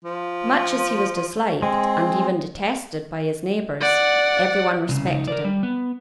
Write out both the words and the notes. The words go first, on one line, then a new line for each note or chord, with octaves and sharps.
Much as he was disliked, and even detested, by his neighbors, everyone respected him.
F3
G#3 C4
D5 F#5
C2 C#3
C#2 D#4
A#4 D5
G3
B3